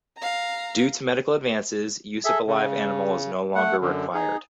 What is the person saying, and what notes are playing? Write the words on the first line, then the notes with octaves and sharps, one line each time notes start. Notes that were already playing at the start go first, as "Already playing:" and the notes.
Due to medical advances, use of a live animal is no longer required.
F5 A#5
G#4 A4 E5
C#3
A3 F#5
F#2 D3
D#4 G#4